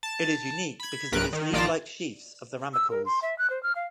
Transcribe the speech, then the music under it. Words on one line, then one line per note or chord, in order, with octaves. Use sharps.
It is unique because of its leaflike sheaths of the ramicauls.
A5
B5 G#6
B1 G2 A#4 B4 F#6 D7
D#3
A#1 D#3 F4 D5 A5 A#6
E6
A#4
C6
E5
F#6
C5
F6
F5